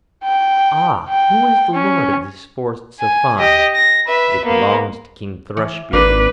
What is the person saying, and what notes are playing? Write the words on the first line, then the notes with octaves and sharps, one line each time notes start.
'Ah! who is the Lord of this forest so fine?' 'It belongs to King Thrushbeard.
G5
G5
C#4
G#5
G4 D#5
A#6
B4 E5
A#3 B3
E3
G#1 A#3 D4 B4 D5